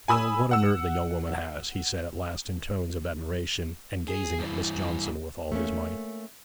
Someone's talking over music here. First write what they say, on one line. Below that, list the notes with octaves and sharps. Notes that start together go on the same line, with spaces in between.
'Well, what a nerve the young woman has!' he said at last in tones of admiration, and gazing at Miss Johnson with all his might.
G#5 B5 D#6 E6
F#5 E6
G#4
G2 E3
A3 A#3 C#4